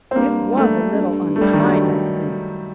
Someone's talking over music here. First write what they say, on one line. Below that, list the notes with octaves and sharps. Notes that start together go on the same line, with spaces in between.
It was a little unkind, I think.
C4
G2 A#3
G3
A3
F#2
G2
A3
G3
D#3
F#3